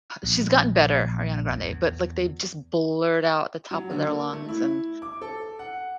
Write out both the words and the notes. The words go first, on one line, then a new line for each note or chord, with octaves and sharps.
she's gotten better, Ariana Grande, but, like, they just blurt out the top of their lungs and
A#1
E2
F#3
D3
A#3
A3
E4
D6
A4
F#5